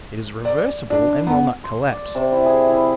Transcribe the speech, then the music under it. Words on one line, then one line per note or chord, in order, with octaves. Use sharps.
It is reversible and will not collapse.
D5
D4
B3
C6
D5
C3
E4
G#4
E4